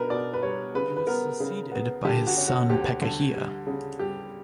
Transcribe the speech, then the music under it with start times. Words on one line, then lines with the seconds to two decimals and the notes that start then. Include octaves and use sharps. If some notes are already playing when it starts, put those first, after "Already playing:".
He was succeeded by his son Pekahiah.
Already playing: B2 D4 A#4 B4
0.10 B2 D5
0.34 B4
0.42 G3 C#5
0.75 C#3 B4
0.97 B4
1.07 B3 A#4
1.40 C#3
1.72 B3
2.05 D3 G4
2.27 F#4
2.38 C#4
2.48 F#4
2.70 D2 G4
3.02 D3
3.35 G3
3.67 C#3
3.99 G3 G4